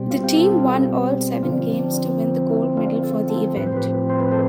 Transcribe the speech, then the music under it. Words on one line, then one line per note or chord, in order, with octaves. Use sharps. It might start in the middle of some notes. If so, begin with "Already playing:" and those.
The team won all seven games to win the gold medal for the event.
Already playing: B2 G3 C4
F4
G4
F4 A4
D3 F3 C4 D4 F4
D4
E4
D4 F4
F4 A4
F4 A4
A2 F3 C4 B4
C5
G4 B4
C5
B4
A4 C5